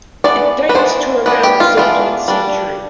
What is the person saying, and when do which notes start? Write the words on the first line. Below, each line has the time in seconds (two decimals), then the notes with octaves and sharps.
It dates to around the seventeenth century.
0.24 E3 B3 D4 D5
0.69 B4
0.75 E3 B3 D4 C5
1.26 E3 B3 D4 B4
1.43 G4
1.60 F4
1.77 E3 B3 D4 F4
2.28 G3 D4